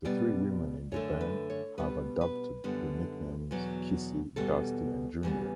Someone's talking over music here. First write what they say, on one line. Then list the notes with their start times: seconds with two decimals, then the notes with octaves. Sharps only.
The three women in the band have adopted the nicknames Kissy, Dusty, and Junior.
0.05 B2 G3 B3 D5
0.92 F#2 D3 A3 C#5
1.21 B4
1.50 C#5
1.78 B2 G3 B3 B4
2.21 B4
2.64 F#2 D3 G3 B3
3.51 E2 B2 F#3
4.36 E2 B2 G3 B3 A4
5.23 E2 C#3 G3 B3